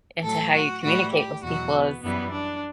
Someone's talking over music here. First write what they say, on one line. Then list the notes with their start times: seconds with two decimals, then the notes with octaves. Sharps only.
into how you communicate with people is
0.23 A2 F#3 A4
0.54 F#4
0.82 A2 E3 G3 F#4
1.12 G4
1.43 E2 B2 F#3 F#4
1.73 B3
2.03 F#2 E3 G3 B3
2.32 D4